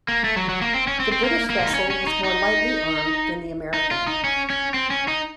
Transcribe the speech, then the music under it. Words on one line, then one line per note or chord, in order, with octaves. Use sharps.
The British vessel was more lightly armed than the American.
A#3
A3
F#3
F#3
A#3
C4
C#4
C4
C4
A#3
A#3
F4
D#4
C#4
C#4
D#4
D#4
D#4
F4
D#4
C#4
C#4
C4
C#4
D#4